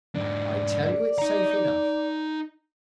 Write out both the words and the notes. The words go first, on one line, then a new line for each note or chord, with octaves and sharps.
I tell you it's safe enough.
G#2 D4 D5
D#4 A#5